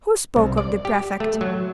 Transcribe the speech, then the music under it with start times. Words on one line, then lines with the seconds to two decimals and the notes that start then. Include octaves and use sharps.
'Who spoke of the prefect?
0.36 C2
0.58 D5
0.85 G4
1.20 A3
1.41 F#3